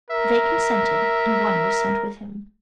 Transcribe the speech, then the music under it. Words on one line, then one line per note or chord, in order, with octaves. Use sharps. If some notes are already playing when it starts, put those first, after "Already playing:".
They consented, and one was sent with him.
A#4 E5